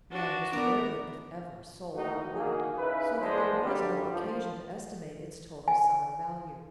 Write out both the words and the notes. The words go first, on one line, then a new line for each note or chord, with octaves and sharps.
Land was rarely, if ever, sold outright, so that there was no occasion to estimate its total selling value.
D4 F#4 F#5
B3 D4 A#4 D5 A#5
D#3 E3 A3 A#3 D#4 F#4
A#3 D#4 F#4 G#4
C#3 D#4 E4 B4
A#1 E2 F3 G#3 D4 C5
G2 D3 D#3 F#3 G3
A1 F3
G#5